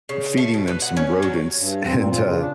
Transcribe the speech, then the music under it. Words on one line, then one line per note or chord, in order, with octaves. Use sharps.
feeding them some rodents, and, uh
C#3
A3
B2
B3
F#5
C#4
F#3
G2
C4
A#2
F4
C#3
D4